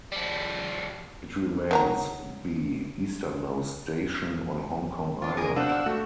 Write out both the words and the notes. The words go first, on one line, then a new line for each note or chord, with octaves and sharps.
It remains the easternmost station on Hong Kong Island.
F3 G3
D#3 F#3 A#5
D4 F4
A#3 G#4 A#4 D#6
D4 C5 F5 F#5 E6
A3 F#4